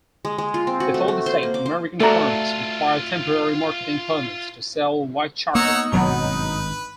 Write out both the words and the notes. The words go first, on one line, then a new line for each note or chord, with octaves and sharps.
Before this date, American firms required temporary marketing permits to sell white chocolate.
G#3
G#3
F4
C4
F#4
A3
A3
C5
A#3
D6
C5
A3 F4 F#4 A4 D5 E5 A#5
A#3 B3 D#4 C#5 F#5 E6
G#1 G2 B2 F#3 B3 B4